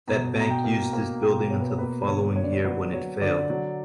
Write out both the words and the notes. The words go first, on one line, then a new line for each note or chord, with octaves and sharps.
That bank used this building until the following year when it failed.
B2 A#5
B2 A#5
G5
A#3
A#3 A#5
B2 G5
B2 C#5
B4
C#5
A#3 B4
D3 C#5
A#3 C#5
D5
C#5
F#3 B4
F#3 C#5
D3 D5
F#3